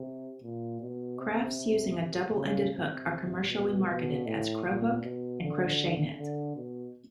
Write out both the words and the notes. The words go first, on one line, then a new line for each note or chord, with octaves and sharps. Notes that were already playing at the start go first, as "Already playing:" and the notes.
Crafts using a double-ended hook are commercially marketed as Cro-hook and Crochenit.
Already playing: C3
A#2
B2
C3
C#3
C3
B2
B2
A2
A#2
B2
D3
D3
B2